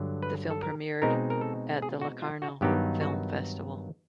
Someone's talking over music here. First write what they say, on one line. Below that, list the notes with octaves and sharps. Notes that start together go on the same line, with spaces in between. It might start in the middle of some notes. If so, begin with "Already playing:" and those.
The film premiered at the Locarno Film Festival.
Already playing: G2 D3 F#3
B4
A4
A#4
B2 G#3 C4 D#4 A#4
A#4
A4
G#4
F#4
F4
F#4
G2 D#3 F#3 B3 D#4 G4
F#4